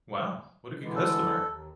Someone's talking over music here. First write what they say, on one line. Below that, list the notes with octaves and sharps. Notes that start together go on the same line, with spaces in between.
Wow. What a good customer.
D3 E3 G#3
A4
D#2